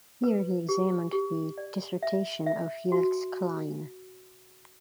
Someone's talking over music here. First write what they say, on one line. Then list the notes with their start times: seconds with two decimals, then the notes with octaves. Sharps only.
Here he examined the dissertation of Felix Klein.
0.24 B4
0.69 G4
1.13 G4
1.58 D5
2.03 E5
2.46 E5
2.92 F#4